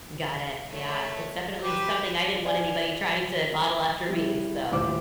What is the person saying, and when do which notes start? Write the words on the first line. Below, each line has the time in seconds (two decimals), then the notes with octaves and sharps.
Got it, yeah. It's definitely something I didn't want anybody trying to model after me, so
0.70 A3 C#5
1.63 G4 B4 C5
2.45 D5 G#5
4.09 G3 E4
4.71 D#1 A1 C5 D6